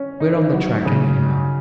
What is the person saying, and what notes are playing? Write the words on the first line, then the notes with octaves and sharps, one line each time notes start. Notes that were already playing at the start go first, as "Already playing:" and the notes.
We're on the track anyhow.
Already playing: C#4
D#4
F#3
C#3